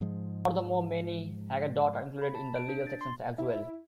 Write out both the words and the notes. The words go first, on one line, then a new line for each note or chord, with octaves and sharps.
Furthermore, many haggadot are included in the legal sections as well.
G#2 F3 G#3
B5
A5
D7
D4
A6
C6
E4